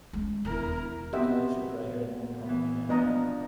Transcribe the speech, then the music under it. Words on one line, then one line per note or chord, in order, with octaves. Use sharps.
The colors are brighter and more prominent at night.
G#3 C#4
E1 D#2 E4 A#4
B3 C4 F#4 G4 D#5 E5
E3 B3
F3 B3 D4 D#5 A#5